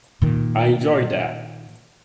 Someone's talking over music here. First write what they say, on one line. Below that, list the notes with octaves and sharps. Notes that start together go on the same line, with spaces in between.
I enjoyed that.
A#2 D#3